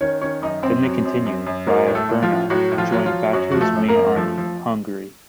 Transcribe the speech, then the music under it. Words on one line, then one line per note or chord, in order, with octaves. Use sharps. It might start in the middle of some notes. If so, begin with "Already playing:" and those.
Then they continued via Brno, to join Batu's main army in Hungary.
D#3 C#4 C#5
D#3 C#4 C#5
F#2 D#4 D#5
F#2 C4 C5
F#3
F#2
F#2
F#2
F#3 A#3 A#4
A2
A3 A4
A2
F3 F4
A2
A2 F#3 F#4
A2
F3 F4
F#3
F3 F4
F#3
F#2 F#3 F#4
F3 F#4
A3 A4
F#2
A#3 A#4
F#2
F3 A3 A4
F3